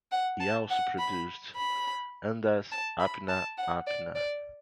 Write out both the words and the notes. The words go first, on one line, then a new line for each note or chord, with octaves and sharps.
He also produced "Andaz Apna Apna".
F#5
A5
F#5
B5
B5
A5
B5
A5
F#5
D5
D5